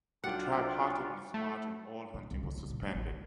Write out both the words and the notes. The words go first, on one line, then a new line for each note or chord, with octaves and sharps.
The tribe halted on its march and all hunting was suspended.
B1 D4 F4 F#4 F#5 G5
A3
A#2
C2
C#3
G3
A#2
A3
A1
C#3